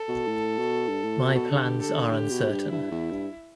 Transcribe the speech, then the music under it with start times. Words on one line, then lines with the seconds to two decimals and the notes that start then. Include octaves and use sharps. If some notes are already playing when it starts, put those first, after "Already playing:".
My plans are uncertain.
Already playing: A4
0.08 B2
0.27 A2
0.59 B2
0.89 G2
1.04 A2
1.20 B2
1.35 B2
1.49 D3 G4
1.80 A4
2.10 D3 G4
2.30 B2
2.50 G2
2.71 G2 E4
2.91 E2
3.11 G2